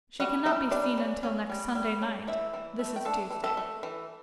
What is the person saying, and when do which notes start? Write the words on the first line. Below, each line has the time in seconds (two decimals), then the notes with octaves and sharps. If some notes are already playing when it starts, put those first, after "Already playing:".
She cannot be seen until next Sunday night; this is Tuesday.
0.20 G3 F#4 F#5
0.46 G3 E4 E5
0.71 G3 D4 D5
0.98 C#4
1.23 C#4
1.50 G3
1.75 G3
2.02 C#4
2.27 E3 E4 E5
2.53 E3
2.79 A3
2.96 G5
3.05 D4 A4 A5
3.30 E3
3.44 A4 A5
3.57 A3
3.83 E3